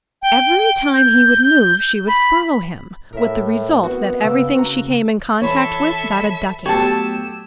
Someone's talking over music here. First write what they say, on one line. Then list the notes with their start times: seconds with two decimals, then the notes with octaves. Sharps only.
Every time he would move she would follow him, with the result that everything she came in contact with got a ducking.
0.22 G5
0.93 G6
2.07 B5
3.13 A2 A#4 E5
3.83 B3 C4 F#4
4.20 C#3 A#3 E6
4.55 F#4 A#5
5.42 E3 A4 C#5 E5 B5
6.66 F#3 A3 B3 G4 A4 C#5 A5 E6